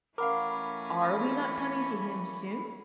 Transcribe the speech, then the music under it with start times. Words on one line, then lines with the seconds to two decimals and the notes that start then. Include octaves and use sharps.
Are we not coming to him soon?
0.18 E3 A3 C#4 A#4 F5 F#5 B5 D6